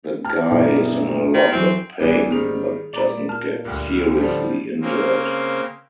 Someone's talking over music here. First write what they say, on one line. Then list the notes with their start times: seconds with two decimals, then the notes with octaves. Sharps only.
The guy is in a lot of pain but doesn’t get seriously injured.
0.25 A5 F6
0.51 B1 G2 D#4 E4 D5
1.34 D#3
1.52 E3 F#3 C4
2.00 A1 E3 G3 D4
2.31 G#2 D#3 G3 G#4 F7
2.93 A#2 D5 A#5 B5
3.29 A5 F6
3.65 D2 G2
4.18 A2 D3 F3 G3
4.81 C#3 A#3 C4